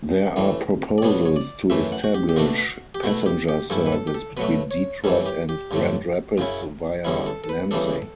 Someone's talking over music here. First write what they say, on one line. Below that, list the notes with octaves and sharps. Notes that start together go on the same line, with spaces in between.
There are proposals to establish passenger service between Detroit and Grand Rapids via Lansing.
A2 E3 A3
D5
B2 G3 B3 D4 C#5
C#5
D5
F#2 E3 A3 E5
F#5
F#4
G4
G4
B2 A3 D4 F#4
G4
B2 A3 E4 F#4
G4
G4
G2 F#3 C#4 E4 A4
B4
A4
G4
A4
B2 F#3 A3 B4
C#5
F#2 E3 G3 C#4 A4
G4
G4
G2 D3 F#3 A3
F#2 C#3 F#3 C#4 E4
E2 D3 G3 C#4 E4
A4
A4
B4
E2 C#3 E3 G3 D4 A4